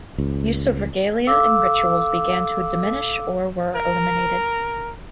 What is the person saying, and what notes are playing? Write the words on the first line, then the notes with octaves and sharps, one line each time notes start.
Use of regalia and rituals began to diminish or were eliminated.
C#2
A4 F5 D6 E6
A#4